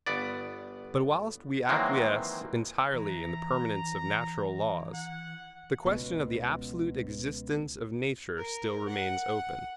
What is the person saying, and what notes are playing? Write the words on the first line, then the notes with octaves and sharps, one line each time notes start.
But whilst we acquiesce entirely in the permanence of natural laws, the question of the absolute existence of nature still remains open.
G1 B3 D5
D#3 E3 F#3 G#3 A#3 C4
E3 A#5
F#5
C#2 B2
A#4
F#5